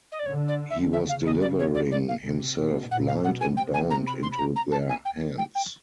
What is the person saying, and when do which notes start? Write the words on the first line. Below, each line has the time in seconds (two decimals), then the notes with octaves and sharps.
He was delivering himself blind and bound into their hands.
0.12 D#5
0.19 D5
0.26 D3 C#5
0.48 D5
0.70 E5
0.92 C#3 E5
1.09 F5
1.26 D#5
1.41 D5
1.59 C#5
1.74 D5
1.91 D5
2.08 F5
2.24 C3
2.58 B2
2.91 A#2 F#5
3.07 F5
3.23 B2 F#5
3.41 G#5
3.56 C3 G5
3.74 G#5
3.90 A#5
4.07 B5
4.22 C6
4.32 B5
4.39 A#5
4.56 A#5
4.72 A5
4.89 G#5
5.05 G5
5.38 G5
5.55 G5